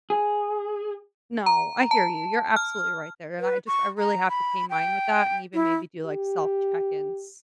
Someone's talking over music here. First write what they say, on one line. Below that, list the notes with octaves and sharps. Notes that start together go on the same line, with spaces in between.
No, I hear you, you're absolutely right there, and I just I really have to pay mine with that and even maybe do like self check-ins
G#4
A#5
A5
F6
B4
C#6
A#5
B5
G5
E4
G4